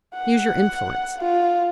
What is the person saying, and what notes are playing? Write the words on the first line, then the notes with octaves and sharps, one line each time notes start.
Use your influence.
F#5
F4